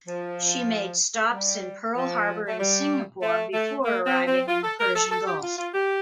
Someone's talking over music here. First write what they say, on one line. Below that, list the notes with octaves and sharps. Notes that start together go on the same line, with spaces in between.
She made stops in Pearl Harbor and Singapore before arriving in the Persian Gulf.
F3
G3
F3
A3
G3
A3
A3
A#3
C4
C4
F4
A4
A#4
A4
A4
G4
F4
F4
G4